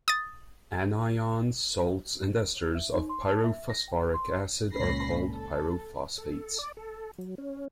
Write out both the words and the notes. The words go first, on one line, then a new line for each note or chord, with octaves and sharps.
Anions, salts, and esters of pyrophosphoric acid are called pyrophosphates.
D#6 A6
E5
D#4
C6
A5
E5
A#6
G5
C6
C#2 A#2 C#4 B5 A#6 C7
A4
A4
D5
A4
F#3
C#4